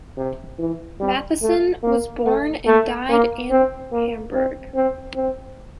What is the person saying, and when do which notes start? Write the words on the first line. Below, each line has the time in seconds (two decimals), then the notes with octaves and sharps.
Mattheson was born and died in Hamburg.
0.17 C3
0.59 E3
1.00 G3
1.42 A3
1.83 A#3
2.25 A3
2.66 A3
3.09 A#3
3.50 C4
3.92 A#3
4.34 C4
4.75 C4
5.16 C4